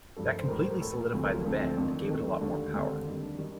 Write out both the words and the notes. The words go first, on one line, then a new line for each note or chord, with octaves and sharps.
That completely solidified the band, gave it a lot more power.
G2 F3 A3 A4
A#4
C5
A2 A3 A#4
C5
A#4
A2 A3 A4
A4
D2 C3 F3 A3
A#4
F4
D2 C3 F3 A3 D4
C4
F2 D#3 A3 D4
F2 D#3 A3
D#2 D3 A3 D4
D#2 D3 A3 C4
F2 D#3 G3
D4
D#3 G3